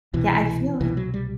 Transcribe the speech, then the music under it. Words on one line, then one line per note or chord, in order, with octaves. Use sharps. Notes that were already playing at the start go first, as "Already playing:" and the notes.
Yeah, I feel like
C2 B2 E3
C2 B2 E3
F#3
G3